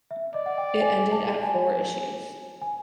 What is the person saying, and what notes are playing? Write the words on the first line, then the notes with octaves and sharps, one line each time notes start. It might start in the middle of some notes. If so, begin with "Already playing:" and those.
It ended at four issues.
E5
D5 D#5
F#5
G5
G#5
A5
G#5
G#5